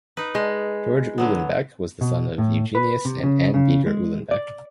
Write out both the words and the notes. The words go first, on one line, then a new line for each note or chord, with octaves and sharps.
George Uhlenbeck was the son of Eugenius and Anne Beeger Uhlenbeck.
D#4 B4
G#3
D3 F#3 B3
B2
A2
B4
C3
C#3
C#3
G#3
D5